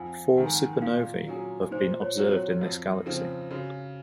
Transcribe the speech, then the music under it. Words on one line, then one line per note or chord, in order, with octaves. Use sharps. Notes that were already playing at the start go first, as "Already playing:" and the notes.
Four supernovae have been observed in this galaxy.
Already playing: F2 F5 F#5 G#5
D#3 G#3 F#5
G#5
F#5
A#2 F5
F#3 C#4 G#4
A#2 C5
C#5
F#3 C4 F#4
C#5
F2
C#3 F3 C4
C#3 F#4